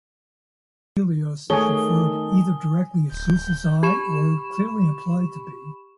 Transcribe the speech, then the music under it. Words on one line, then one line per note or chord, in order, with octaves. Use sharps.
Helios is referred either directly as Zeus' eye, or clearly implied to be.
D#3 A3 G#4 C#5 G#5 D#6 G7
D1 G6
G4 B5 C#6 E7